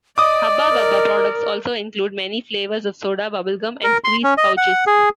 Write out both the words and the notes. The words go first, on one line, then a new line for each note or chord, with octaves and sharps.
Hubba Bubba products also include many flavors of soda, bubble gum and squeeze pouches.
D5 D#5 D6 D#6
A#4
A#4
C6
C#4
D#5
F#5
G#4